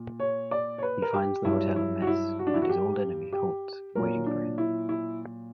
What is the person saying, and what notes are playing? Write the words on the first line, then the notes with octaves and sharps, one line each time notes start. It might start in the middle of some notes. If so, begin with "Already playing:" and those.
He finds the hotel a mess and his old enemy, Holtz, waiting for him.
Already playing: A#2
C#5
D5
C#5
B4
A#4
G4
G2 F#3 E4
E4
F#4
E4
F#4
D4
E4
F#4
G4
G4
A#2 F#3 A#4
D4
E4
E4